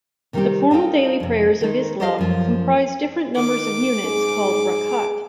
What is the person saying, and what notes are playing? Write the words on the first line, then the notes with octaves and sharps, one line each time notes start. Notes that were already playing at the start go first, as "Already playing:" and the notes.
The formal daily prayers of Islam comprise different numbers of units, called "rak'at".
C3 D#3 G3 B3 C4 G4
C4 D#4 F4 A4 G5
F2 C3
D#3 G#3 D#4
G4 A4 C5 D5 D#5 F5
F#2 F3 C#4
D#3 D6
G#2 G#4